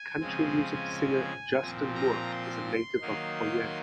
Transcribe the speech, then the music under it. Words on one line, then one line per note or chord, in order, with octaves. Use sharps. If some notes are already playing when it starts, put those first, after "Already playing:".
Country music singer Justin Moore is a native of Poyen.
Already playing: G#5
C#3 F3 G#3 C4
A#2 F3 C4
A#5
C6
D#3 F#3 A#3 D#4